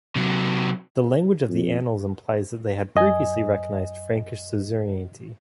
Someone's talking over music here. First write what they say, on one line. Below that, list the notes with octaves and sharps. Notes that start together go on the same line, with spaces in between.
The language of the "Annals" implies that they had previously recognized Frankish suzerainty.
C3 F#3
F2
F#2 D#5 G#5